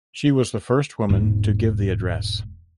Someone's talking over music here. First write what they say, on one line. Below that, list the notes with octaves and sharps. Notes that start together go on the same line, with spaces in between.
She was the first woman to give the address.
E1 G#2